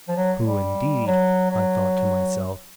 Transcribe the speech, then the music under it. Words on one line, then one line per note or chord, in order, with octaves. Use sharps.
"Who, indeed," I thought to myself.
F3
F#3
G3
F#3
F#3